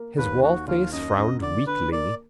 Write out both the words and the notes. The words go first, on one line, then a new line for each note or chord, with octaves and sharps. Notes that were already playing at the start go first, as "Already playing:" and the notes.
His wallface frowned weakly.
Already playing: A#3
D#2 B4
D#2 F#4
D#2 F4
F#2 D#5
F#2
D3 D5
D3 B4
A#3 D5